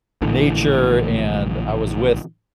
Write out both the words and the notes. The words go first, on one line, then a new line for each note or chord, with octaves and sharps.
nature and I was with,
A#1 A2 D3 E3